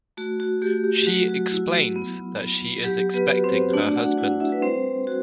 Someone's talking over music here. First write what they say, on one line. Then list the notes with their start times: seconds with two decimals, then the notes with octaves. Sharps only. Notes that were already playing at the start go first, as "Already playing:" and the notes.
She explains that she is expecting her husband.
0.17 A3 F#4
0.40 F#4
0.62 A3 G4
0.84 G4
1.06 F#3 F#4
1.28 F#4
1.51 E4
1.96 B3
2.40 B3
2.84 F#3 G4
3.14 B3 B4
3.29 F#4
3.44 C4 C5
3.73 A3 D4 D5
3.96 F#4 F#5
4.18 E4 F#4 F#5
4.40 E4 E5
4.52 B4
4.63 G3 C4 C5
5.07 F#4